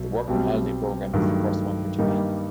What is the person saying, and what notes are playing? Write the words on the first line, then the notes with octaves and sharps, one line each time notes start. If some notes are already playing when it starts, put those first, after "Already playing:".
The working holiday programme is the first one for Japan.
Already playing: B1 B2 F#3
B1 B2 G3 C4
G2 D#3 F#3 A3
G2 D#3 G3 A#3 D#4